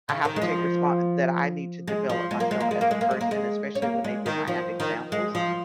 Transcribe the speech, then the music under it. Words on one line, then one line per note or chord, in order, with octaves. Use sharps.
"I have to take respon that I need to develop myself as a person," especially when they did not have examples
C#3
D#3
G#3
F3
G#3
F3
G#3
A#3
G#3
A#3
G#3
A#3
G#3
A#3
G#3
A#3
G#3
C#4
A#3
G#3
D#3
F3
D#3
G#3
F3